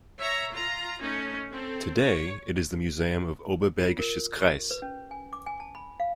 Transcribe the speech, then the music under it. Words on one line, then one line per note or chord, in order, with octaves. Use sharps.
Today it is the Museum of Oberbergisches Kreis.
C#5 E5 A#5
F4 A#5
A3 C#4 D#4
C4 A4
C#5
F4
A#4
G4
B4
C#4
G#5
D6
G#5
A5
B5
F5